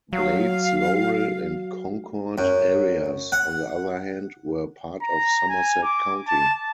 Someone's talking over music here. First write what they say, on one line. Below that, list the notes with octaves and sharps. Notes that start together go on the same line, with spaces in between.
Blades, Laurel, and Concord areas, on the other hand, were part of Somerset County.
F#3 F5
F#2
F#5
A#5
G#5
D6
A5